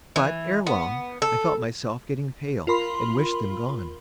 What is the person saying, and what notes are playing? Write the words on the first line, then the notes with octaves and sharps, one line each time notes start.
But, ere long, I felt myself getting pale and wished them gone.
E3
B3
A4
F4 A#4 B5 C6